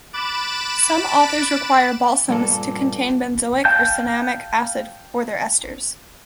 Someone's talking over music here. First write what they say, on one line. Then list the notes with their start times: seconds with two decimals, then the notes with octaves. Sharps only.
Some authors require balsams to contain benzoic or cinnamic acid or their esters.
0.13 B5 D6 F#6 A6 D7 E7
2.29 G2 A#2 A4
3.65 F5 G5 A5 G6